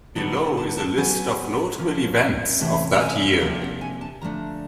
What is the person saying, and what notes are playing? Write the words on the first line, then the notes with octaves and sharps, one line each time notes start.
Below is a list of notable events of that year.
D3 F#3 B3 D#4 A5
A#5
A5
A5
A2 F#3 B3 G#5
F3 A#3 C#4
C3 E3 A3 C#4 F#5
G#5
C3 F3 A#3 D4 F#5
F#5
G#5
A5
D3 F3 A3 D4 A#5